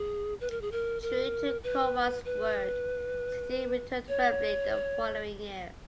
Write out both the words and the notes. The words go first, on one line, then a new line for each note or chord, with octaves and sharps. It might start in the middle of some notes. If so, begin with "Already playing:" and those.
True to Cowan's word, City returned to Wembley the following year.
Already playing: G#4
B4
A#4
G#4
A#4
A#4
B4
B4
C#5